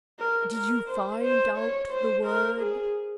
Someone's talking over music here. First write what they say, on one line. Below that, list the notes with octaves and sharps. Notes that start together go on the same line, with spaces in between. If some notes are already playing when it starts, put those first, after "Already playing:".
"Did you find out the word?"
A#4
A#4
C5
C5
C#5
C5
A#4
G#4